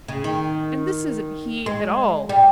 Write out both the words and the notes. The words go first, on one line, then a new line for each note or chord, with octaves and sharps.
And this isn't he at all!
C#3
D#3
G#3
G3